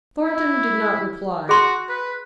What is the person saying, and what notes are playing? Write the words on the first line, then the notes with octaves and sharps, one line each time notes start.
Thornton did not reply.
E4
F#4 G#4 C6
B4